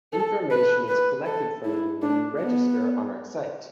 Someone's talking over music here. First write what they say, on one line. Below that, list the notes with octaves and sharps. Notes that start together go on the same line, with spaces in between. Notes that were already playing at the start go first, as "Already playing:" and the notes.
Information is collected from you when you register on our site.
A4
B4
B4
A4
E4
D4
B3